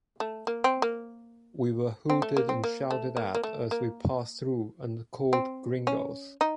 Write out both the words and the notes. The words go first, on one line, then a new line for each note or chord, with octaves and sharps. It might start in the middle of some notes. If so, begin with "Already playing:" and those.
We were hooted and shouted at as we passed through, and called gringoes.
A3
A#3
C4
A#3
C4
A3
A#3
C4
A#3
A3
A#3
A#3
A3
A#3
C4
C#4
D#4